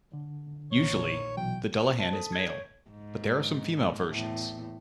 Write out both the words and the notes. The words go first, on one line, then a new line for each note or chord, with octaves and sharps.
Usually, the Dullahan is male, but there are some female versions.
D3
A#1 D#3 A#3 C#5
B2 E3 F#3 G5
C5
A5
A4
G#6
C#5
G#2
E2 A2